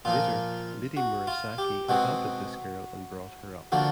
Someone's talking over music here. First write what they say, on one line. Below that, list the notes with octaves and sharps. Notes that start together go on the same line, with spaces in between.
Later, Lady Murasaki adopted this girl and brought her up.
A#2 F3 A#3 F4
F#4
F4
G4
B2 G#3 C4 F#4
D3 F3 A#3 F#4